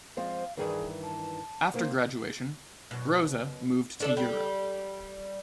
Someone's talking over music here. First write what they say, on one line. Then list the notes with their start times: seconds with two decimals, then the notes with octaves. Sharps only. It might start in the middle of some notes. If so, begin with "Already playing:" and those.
After graduation, Brose moved to Europe.
0.17 F3 G#3 C4 F5
0.57 G2 D#3 E3 G#4
1.03 A5
1.74 D#3 A#3 C4 C5
2.91 F#2 B2
4.00 D4 A4 D5
4.17 G3